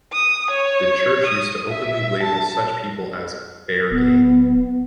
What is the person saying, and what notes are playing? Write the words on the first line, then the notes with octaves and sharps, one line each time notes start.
The Church used to openly label such people as Fair Game.
D#6
C#5
D#6
E5
A5
D1 B3